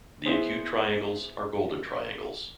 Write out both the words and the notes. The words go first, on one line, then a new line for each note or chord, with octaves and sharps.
The acute triangles are golden triangles.
B3 E4 G#4 C5